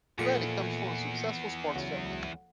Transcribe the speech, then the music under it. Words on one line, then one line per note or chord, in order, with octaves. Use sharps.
Reddy comes from a successful sports family.
E2 A#2 F3 A#3 A4 C#7
C#2 F#3 F#5